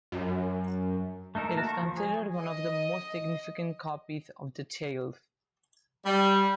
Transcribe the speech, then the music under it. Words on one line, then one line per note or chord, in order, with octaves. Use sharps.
It is considered one of the most significant copies of the "Tales".
F#2
A3 D#4 A4 A#4
A#3 F#4 A5 A#5
C#6
F3
G#4
D#5
G3